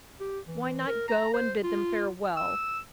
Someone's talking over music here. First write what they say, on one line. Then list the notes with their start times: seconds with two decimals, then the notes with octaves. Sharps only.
Why not go and bid them farewell?
0.20 G4
0.48 E3
0.87 A#4
1.08 A#5
1.34 C5
1.64 F4
2.37 E6